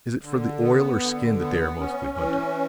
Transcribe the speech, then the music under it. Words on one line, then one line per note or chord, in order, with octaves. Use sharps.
"Is it for the oil or skin that they are mostly hunted?"
D3
B3
D3
B3
C#4
E3